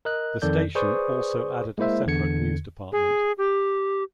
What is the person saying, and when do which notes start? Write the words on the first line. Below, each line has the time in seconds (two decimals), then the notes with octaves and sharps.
The station also added a separate news department.
0.05 A#4 D#5 F#6
0.42 F2 D#3 A4 D5 G6
0.75 G#4 B4 C5 D5 C#6 D#6
1.78 G#3 A#3 E4 C5 E5
2.07 E2 D3 G#6 C#7
2.92 G#4
3.38 G4